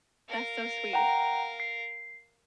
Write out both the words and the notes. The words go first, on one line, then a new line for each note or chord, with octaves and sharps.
That's so sweet.
A#4 F5
F#5 G5 A#5
C7